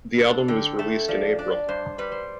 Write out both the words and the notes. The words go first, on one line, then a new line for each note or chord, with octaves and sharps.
The album was released in April.
D4 A4
D3 G5
A3 A5
F3 D5
D4 D5
G2 C5
G3 B4
C5